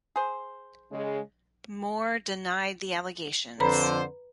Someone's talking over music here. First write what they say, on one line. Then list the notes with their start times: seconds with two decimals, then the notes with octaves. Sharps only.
Moore denied the allegations.
0.16 G#4 C5
0.92 C#3 G#3
3.60 F2 D3 B4 C5 A#5 B5